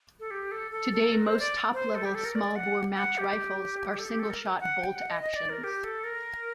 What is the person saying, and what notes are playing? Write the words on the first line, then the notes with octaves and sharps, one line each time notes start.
Today most top-level smallbore match rifles are single-shot bolt actions.
A4
G4
A4
A4
A4
A#4
C5
D5
C5
A4
G4
A4
A#4
D5
F#5
F#5
G4
A4
G4
A4
A#4
F#5
G5
F#5
D#5
D#5
D5
A#4
G4
A4
A#4